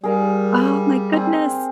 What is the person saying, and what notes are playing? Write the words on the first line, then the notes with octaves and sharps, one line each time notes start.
Oh my goodness!
G3 G#4 A#4 F5
C4 G#5